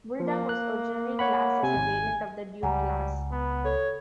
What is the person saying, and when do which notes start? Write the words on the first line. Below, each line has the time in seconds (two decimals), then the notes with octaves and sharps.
"Bulldog" was originally classed as a variant of the Duke Class.
0.20 F3 A#3
0.49 F#6
1.19 C#5 F#5 B5
1.63 C3 G#5
1.76 G#1
2.63 C#2 G3 F#5 G#5 A#5
3.32 B3
3.65 A4 C#5